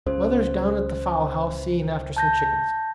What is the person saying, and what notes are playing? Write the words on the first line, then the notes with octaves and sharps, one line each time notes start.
Mother's down at the fowl-house seeing after some chickens.
C#2 C#3 C5
A5 G6 A#6